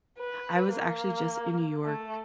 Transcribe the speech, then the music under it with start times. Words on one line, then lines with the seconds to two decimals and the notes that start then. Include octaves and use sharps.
I was actually just in New York,
0.19 B4
0.71 A#3
1.84 A3